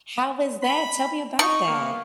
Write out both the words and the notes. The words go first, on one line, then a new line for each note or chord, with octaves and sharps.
How was that, tell me about that.
B5
D#4 C#6
A#3 B3